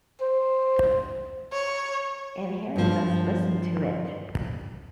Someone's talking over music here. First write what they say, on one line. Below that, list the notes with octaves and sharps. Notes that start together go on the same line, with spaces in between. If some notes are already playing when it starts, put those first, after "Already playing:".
And Harry must listen to it.
C5
C#5
G2 F3